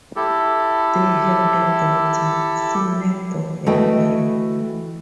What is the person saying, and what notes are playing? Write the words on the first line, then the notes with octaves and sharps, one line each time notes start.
They have a daughter, Celia Dovell Bell.
E4 G4 A4
E3 A3 F#4 D#5 G5